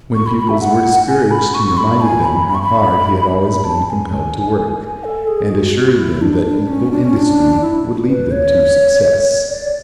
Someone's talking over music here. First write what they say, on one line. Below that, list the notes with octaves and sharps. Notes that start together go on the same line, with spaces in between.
When pupils were discouraged he reminded them how hard he had always been compelled to work, and assured them that equal industry would lead them to success.
C#6
B5
B5
E5
F#5
G#5
B5
C#6
B5
G#5
B5
B5
C#6
B5
B5
A5
G#5
G#5
A4
G#4
G#4
F#4
F#4
E4
D4
D4
C#4
D4
C#4
D4
E4
B4
C#5
D5